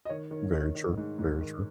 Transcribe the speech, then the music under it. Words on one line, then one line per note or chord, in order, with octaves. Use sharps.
Very true. Very true.
D#5
D#3 C#5
D#3
D#3
D#3
G#2
G#2
D#3